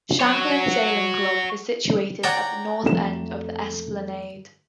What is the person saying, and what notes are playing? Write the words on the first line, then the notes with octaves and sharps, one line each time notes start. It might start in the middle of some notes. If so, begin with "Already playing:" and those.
Shanklin Sailing Club is situated at the North end of the Esplanade.
F#4 C#5
C#5 D5 F#5 G5 A#5
F2 A3 A4 E7